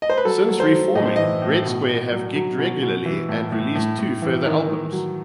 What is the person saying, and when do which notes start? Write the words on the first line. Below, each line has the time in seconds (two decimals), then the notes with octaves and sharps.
Since reforming Red Square have gigged regularly and released two further albums.
0.02 D#5
0.10 C5
0.17 B4
0.25 F#3 A4
0.49 F#3
0.60 C5
0.72 F#3
0.95 A2 D#5
1.06 C5
1.16 E3 D#5
1.42 A2
1.65 B2
1.89 B2
2.12 F#3
2.35 F#3
2.58 B2
2.82 B2
3.06 E3
3.29 A2
3.52 A2
3.75 A2
3.99 A2
4.22 E3
4.46 D#3
4.69 D#3
4.93 F#3